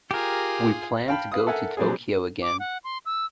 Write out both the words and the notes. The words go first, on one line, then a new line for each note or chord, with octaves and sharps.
We plan to go to Tokyo again.
F4 G4 G#4 A#4
F5 G5 A5 B5
B4 F5 D#6
A4 A#4 E5 F#5 G#5
F#3 G3 C4 D4 G#4
D6
F#5
C6
E6